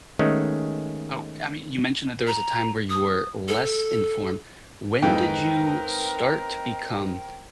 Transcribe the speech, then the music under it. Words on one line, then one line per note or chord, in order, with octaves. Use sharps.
Oh, I mean, you mentioned that there was a time where you were less informed. When did you start to become,
D#3 G#3 A3 B3 C#4
A#5
D#6
A4
F2 G#2 E3 C4 D#4 A#4 B4 G5